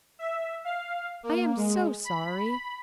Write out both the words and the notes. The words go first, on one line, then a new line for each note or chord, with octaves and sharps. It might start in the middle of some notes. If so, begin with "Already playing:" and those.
"I am so sorry!"
E5
F5
A#3
G#3
B5